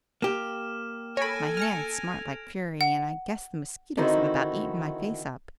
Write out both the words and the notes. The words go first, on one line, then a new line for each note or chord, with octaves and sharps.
My hands smart like fury, and I guess the mosquitoes have about eaten my face up.
A#3 G4 F6 E7
A4 C#5 G#5 B5 A#6 D7
F6 G#6 A#6 C#7 F7
F#5
D3 D#3 C4 D#4 E4 F#4